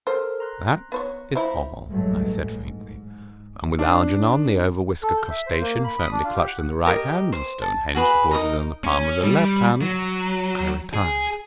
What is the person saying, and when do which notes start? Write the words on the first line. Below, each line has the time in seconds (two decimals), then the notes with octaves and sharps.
"That is all," I said faintly; and, with Algernon, the overwhiskered crustacean, firmly clutched in the right hand and Stonehenge supported on the palm of the left hand, I retired.
0.07 A4 A#4 C5 F6
0.40 A#5 C6 F#6
0.92 B3 C5 C#5
1.35 F3 E4 C5 A#5 B5
1.89 A1 G2 F#3 G#3 A3
2.62 G#2
3.79 D4
5.03 A4
5.17 G6
5.30 E5
5.46 C5
5.61 A#3
5.84 B5
5.99 D#6
6.11 D4
6.24 F4
6.35 G4
6.47 F#5
6.85 G4 A#4 D#5
7.32 C5
7.62 A5
7.95 F#4 G#4 B4 B5
8.31 D#4 A#4 D#5 A#5
8.84 C#4
9.24 G3
9.81 F#3
10.94 G#4